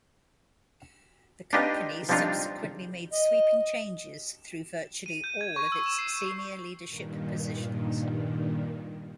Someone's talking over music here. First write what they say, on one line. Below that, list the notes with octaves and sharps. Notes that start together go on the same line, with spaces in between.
The company subsequently made sweeping changes through virtually all of its senior leadership positions.
D4 D#4 F4 G4 B4 D#5
F3 G3 C4 D4 D#4 F4
D#5
D#7
G6
G#6
C#6
E6
E7
C7
G2 A#2 D#3